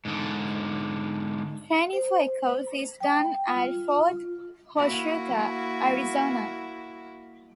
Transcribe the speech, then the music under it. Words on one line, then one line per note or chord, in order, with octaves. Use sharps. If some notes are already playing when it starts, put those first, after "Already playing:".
Training for "Echoes" is done at Fort Huachuca, Arizona.
G#2 D3
C5
G5
F4
A#3 E4 F#4